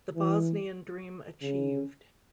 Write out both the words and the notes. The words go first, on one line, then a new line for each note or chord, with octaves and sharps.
The Bosnian dream achieved.
E3
C#3